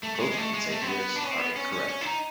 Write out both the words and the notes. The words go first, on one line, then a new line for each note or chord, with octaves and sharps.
Both of these ideas are incorrect.
A3
A3
G#3
G#3
A3
G#3
A3
C4
B3
D4
C#4
C4
B3
C#4
C#4
C#4
E4
D#4